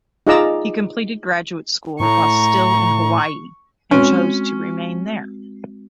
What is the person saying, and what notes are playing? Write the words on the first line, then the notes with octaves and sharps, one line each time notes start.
He completed graduate school while still in Hawaii and chose to remain there.
D#4 F4 G#4 D5 A#5 E6
A2 A#5 C#6
G#3 C4 C#4 F#4